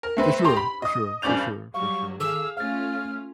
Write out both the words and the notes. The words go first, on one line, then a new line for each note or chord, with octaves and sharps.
For sure, for sure, for sure, for sure.
A#4
A3 C4 B4
G4 A#5 C6
B5
D#5 D#6
G#1 G2 C#4 D5 G6 F7
F#3 G3 F5 C#6
D#3 G#4 A4 F5 D6 E6
A3 C#4 F4 F5 F6 A6